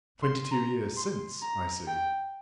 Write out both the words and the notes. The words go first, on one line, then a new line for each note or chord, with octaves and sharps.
"Twenty-two years since, I see."
C6
A#5
C6
A#5
G5